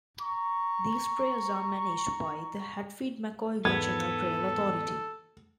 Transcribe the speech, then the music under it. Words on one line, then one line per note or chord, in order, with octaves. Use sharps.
These trails are managed by the Hatfield-McCoy Regional Trail Authority.
A#5 C#6
E2 G#2 B3 A4 B5 G#6